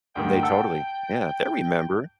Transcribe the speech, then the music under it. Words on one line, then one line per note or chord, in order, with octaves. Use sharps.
They totally Yeah, they remember.
D2 G2 D#3 G5
F#5 A5 E6